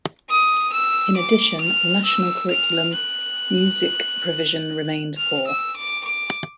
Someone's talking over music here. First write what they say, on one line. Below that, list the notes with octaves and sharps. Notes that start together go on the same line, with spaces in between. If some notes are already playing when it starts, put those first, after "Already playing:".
In addition, National Curriculum music provision remained poor.
D#6
E6
D6
F6
E6
F6
F#6
F6
E6
D6
D6